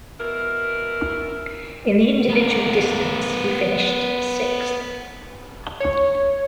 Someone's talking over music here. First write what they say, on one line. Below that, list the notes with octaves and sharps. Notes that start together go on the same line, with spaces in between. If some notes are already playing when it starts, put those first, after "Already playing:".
In the individual distance he finished sixth.
B2 E4 A#4
B3 A#4
C#5